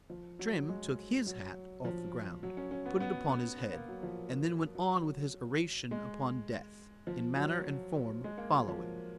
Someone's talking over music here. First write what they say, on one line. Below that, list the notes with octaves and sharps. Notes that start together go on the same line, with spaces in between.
Trim took his hat off the ground,--put it upon his head,--and then went on with his oration upon death, in manner and form following.
F3
F#3
G#3
F#3
F3
F#3
C#4
C#4
B3
B3
B3
B3
A#3
F#3
F3
F#3
G#3
F3
F#3
G#3
A#3
F#3
F3